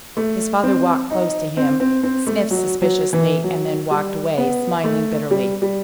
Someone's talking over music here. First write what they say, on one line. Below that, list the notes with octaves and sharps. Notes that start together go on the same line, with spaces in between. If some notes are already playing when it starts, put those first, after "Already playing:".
His father walked close to him, sniffed suspiciously, and then walked away, smiling bitterly.
A3
C4
D#4
C4
C4
C4
A3
F#3
F#3
E3
F#3
G3
B3
A3
G3
G3